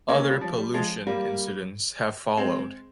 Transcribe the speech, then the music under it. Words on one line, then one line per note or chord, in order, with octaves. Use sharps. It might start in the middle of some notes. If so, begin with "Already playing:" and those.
Other pollution incidents have followed.
A#3 C#4
A#3 C#4
G3
F3
G3
F3 G#3
G3 A#3
G#3 C4